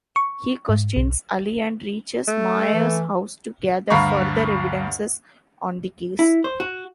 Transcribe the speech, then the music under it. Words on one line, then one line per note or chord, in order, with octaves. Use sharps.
He questions Ali and reaches Maya's house to gather further evidences on the case.
C#6
G#2
B1
A3
E3
D2 G2 F5 A#5 B5 C#6
E4
C5
F#4